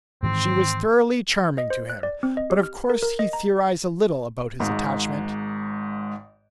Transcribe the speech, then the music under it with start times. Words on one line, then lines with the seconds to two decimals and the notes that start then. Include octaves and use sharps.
She was thoroughly charming to him, but of course he theorized a little about his attachment.
0.23 G#2 D#3 E3 C4
1.58 D#5
1.70 C5
1.90 F#6
2.03 D5
2.23 C4
2.37 D#5
2.50 G4
2.63 F6
2.90 A#4
3.02 A#4
3.19 D#5
3.33 A#5
4.59 G#1 G#2